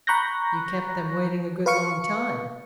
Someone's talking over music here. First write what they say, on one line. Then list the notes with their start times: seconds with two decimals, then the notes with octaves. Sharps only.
'You kept them waiting a good long time!'
0.07 A#5 B5 C#6 F#6 G6 A#6
1.66 B4 F5 C#6 C#7